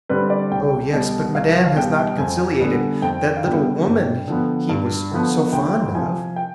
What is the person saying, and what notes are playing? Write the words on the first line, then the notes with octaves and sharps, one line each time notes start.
"Oh, yes; but Madame has not conciliated that little woman he was so fond of."
D3 G3 C4 B4
D5
C2 G5
B2 G3 D#5
C2 F5
F5
B2 G3 G5
F2 G#5
D3 G3 B3
F2 G5
F5
D3 G3 B3 G5
G2
D3 F3 B3
G2
D3 F3 B3
D2 G5
C3 F3 G#5
G5